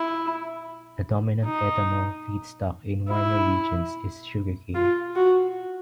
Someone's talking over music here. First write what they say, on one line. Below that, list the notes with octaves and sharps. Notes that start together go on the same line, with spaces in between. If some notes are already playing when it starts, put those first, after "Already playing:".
The dominant ethanol feedstock in warmer regions is sugarcane.
Already playing: E4
D#4
E4
F4
F#4